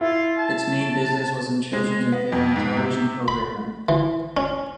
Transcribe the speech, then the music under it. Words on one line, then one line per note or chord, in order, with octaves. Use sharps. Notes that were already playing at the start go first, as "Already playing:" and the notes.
Its main business was in children's and family television programming.
E4 F4
A5
G#3
B3
F2
G#2
C3
B5
E3
C#4